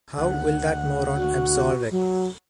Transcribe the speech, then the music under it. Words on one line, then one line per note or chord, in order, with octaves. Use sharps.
How will that moron absolve it?
D2 F#5
F#4
F#3